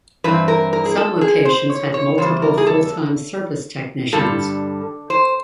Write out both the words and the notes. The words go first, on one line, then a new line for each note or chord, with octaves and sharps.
Some locations had multiple full-time service technicians.
G2 E3 C4 B4
A#4
A#4
G#4
A4
G#4
C5
C#5
C#5
E2 C#3 G3 C5
A#4
G#4
A4
G2 D3 G3 A4
C5